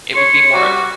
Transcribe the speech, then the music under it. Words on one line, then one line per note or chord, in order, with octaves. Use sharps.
It would be more
C#5 C6 C#7
G3 F#4 D6